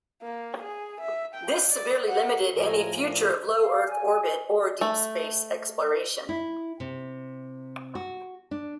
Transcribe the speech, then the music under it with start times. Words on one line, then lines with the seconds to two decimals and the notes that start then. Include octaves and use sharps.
This severely limited any future of low earth orbit or deep space exploration.
0.22 A#3
0.63 G#4
1.01 E5
1.35 G5
1.72 D5
2.09 F#5
2.55 A2 F3 A#4 G#5
3.60 F5
3.87 G#5
4.81 A3
6.29 E4
6.80 C3
7.95 F#4
8.51 D4